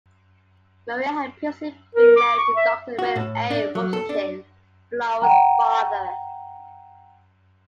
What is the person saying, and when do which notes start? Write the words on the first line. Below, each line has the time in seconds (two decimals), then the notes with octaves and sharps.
Maria had previously been married to Doctor William A. Wovschin, Flora's father.
1.95 A#4
2.16 D6
2.38 C#6
2.56 E5
2.99 F#4
3.16 A2
3.50 D4
3.75 F#3
3.93 A4
4.09 D4
5.22 F#5 G5 A#5